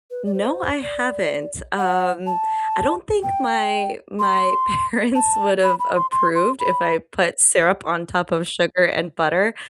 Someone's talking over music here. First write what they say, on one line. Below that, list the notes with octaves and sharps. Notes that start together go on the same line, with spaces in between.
No, I haven't, um, I don't think my my parents would've approved if I put syrup on top of sugar and butter,
B4
D5
C5
D5
F#5
A5
G5
C6
A5
B5
B5
C6
C6
C6
B5